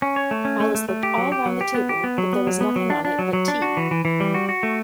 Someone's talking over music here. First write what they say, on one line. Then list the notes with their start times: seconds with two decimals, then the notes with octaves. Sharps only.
Alice looked all round the table, but there was nothing on it but tea.
0.02 C#4
0.16 C#5
0.31 A3
0.45 C#4
0.60 A3
0.75 A3
0.89 A3
1.03 G4
1.18 F#3
1.32 G4
1.46 F#3
1.61 G4
1.74 B3
1.89 G4
2.04 B3
2.18 F#3
2.33 B3
2.47 F#3
2.61 B3
2.76 F#3
2.90 D4
3.05 D4
3.19 F#3
3.33 F#3
3.48 D4
3.62 F#4
3.77 E3
3.91 E3
4.05 E3
4.20 G3
4.34 F#4
4.49 F#4
4.63 A3